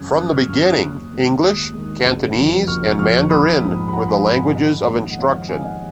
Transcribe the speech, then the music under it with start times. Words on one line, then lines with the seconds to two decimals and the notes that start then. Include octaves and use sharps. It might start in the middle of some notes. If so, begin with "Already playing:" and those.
From the beginning, English, Cantonese, and Mandarin were the languages of instruction.
Already playing: G#1 F#2 C#3 D#6 F#6 G#6
0.17 G#1 D#6 F#6
0.33 C#6 F6
0.48 F#2 C#3 C#6 F6
0.64 D#6 F#6
0.80 D#2
1.11 D#3 G#3
1.42 D#2 D#6 F#6
1.74 D#3 G#3
2.05 F#1
2.37 F2 F3
2.67 F#1 C#6 F6
2.99 F2 F3 C#6 F6
3.30 A#1 B5 D#6
3.62 G#2 F3
3.88 B5
3.92 A#1 F#5 A#5
4.08 G#5 B5
4.24 F3 G#5 B5
4.28 G#2
4.40 F5 G#5
4.55 F2 D#5 F#5
4.87 D#3 G#3 D#5
5.11 F#5
5.18 F2 C#5 F5
5.33 D#5 F#5
5.49 G#3 F5 G#5
5.53 D#3
5.65 D#5 F#5